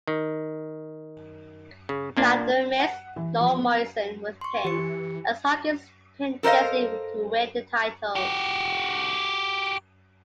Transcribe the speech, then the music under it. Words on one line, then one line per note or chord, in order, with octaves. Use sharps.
Neither Miz nor Morrison were pinned, as Hawkins pinned Jesse to win the titles.
D#3
C#3
A#2 A#3 D4
F#5
E3
F3
B3
C6 C#6
E3 G4 C#7
A4 A#4 C5 D#5 F5
F#4 G4